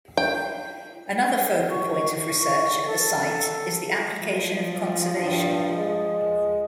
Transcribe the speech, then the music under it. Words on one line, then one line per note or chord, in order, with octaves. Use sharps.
Another focal point of research at the site is the application of conservation.
G5
C#6
A4
F3
G2
G#3